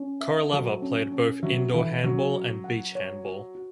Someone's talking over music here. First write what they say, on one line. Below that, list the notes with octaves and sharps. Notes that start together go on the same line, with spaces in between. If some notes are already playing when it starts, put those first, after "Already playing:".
Koroleva played both indoor handball and beach handball.
Already playing: C#4
E5
F#3 A4
C#4
C#4
F#3 E5
E3 A4
F#3 C#4
F#4
F#5
C#5
F#4
F#4